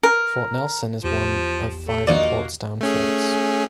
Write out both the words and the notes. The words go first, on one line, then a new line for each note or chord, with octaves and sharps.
Fort Nelson is one of five Portsdown Forts.
A#4
E2 F3 G4 E7
A3
A#1 A#2 E3 A#3 D#4 F#4 D5
A3 C#4 G#4